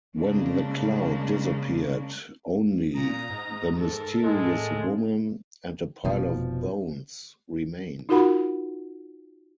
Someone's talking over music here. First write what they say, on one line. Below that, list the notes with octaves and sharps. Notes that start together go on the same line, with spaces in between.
When the cloud disappeared, only the mysterious woman and a pile of bones remained.
C#3 G#3 A#3 D4
A#2 A#5 D#6
G#2
G#2 A4 A#4
A2 G#3
F1 B2 F3
D#4 F4 F#4 A#4 F#5 B5